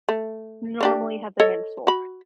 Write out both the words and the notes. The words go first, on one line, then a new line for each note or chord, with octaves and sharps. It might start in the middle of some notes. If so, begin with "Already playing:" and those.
normally have their hands full,
A3
A3 D4 G4
A4 C#5 D#5
F#4 B5